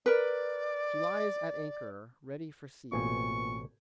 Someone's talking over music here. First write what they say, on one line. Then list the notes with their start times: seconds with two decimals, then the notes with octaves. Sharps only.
She lies at anchor, ready for sea.
0.06 A#4 B4 D5
2.92 A1 B2 A#3 C4 F4 G#5 C#6